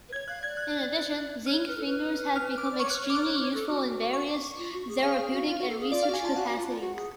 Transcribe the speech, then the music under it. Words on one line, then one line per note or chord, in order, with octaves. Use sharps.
In addition, zinc fingers have become extremely useful in various therapeutic and research capacities.
B4
C#5 G#6
F5 F#6
D5 G#6
F#6
C#5 F6
B4
A4
B4
F6
D6
D5
C#5 C#6
F#6
F6
C#5
D5 D6
C#5
C#5
A4
F#4
C#6
F4
F#4
G#4
G#4 F5
G#4
F#4
F4 F5
F#4
A4
G#4
F4 D5
F#4 F5
G#5
F4 A5
F#4 F#5
F#4
F4
F4
F#4
G#4